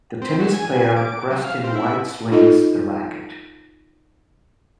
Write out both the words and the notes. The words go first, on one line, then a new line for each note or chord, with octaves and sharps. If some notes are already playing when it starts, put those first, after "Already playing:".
The tennis player dressed in white swings the racket.
C4
F#3
G#5
D6
F#3
F5
C4
E4
D#4 F4 A4 D#5